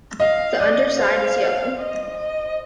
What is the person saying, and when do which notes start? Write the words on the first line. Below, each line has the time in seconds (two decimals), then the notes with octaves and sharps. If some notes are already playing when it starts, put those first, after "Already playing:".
The underside is yellow.
0.20 D#5 F5
0.59 D5 D#5
1.00 C5 F5
1.78 D#5
2.17 D#5